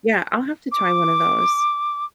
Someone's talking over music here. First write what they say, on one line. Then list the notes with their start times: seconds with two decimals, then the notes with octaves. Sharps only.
yeah, I'll have to try one of those.
0.72 D6